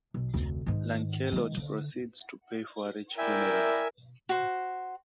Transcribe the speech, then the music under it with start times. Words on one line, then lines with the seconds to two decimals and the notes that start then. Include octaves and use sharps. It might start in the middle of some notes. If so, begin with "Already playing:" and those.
Lancelot proceeds to pay for a rich funeral.
0.14 B1
0.34 F1 D2
0.66 G#2 D#3
1.32 D#3 G#3
1.57 D3
3.18 E4 A#4 D5 E5 G5 G#5
4.29 F#4 C5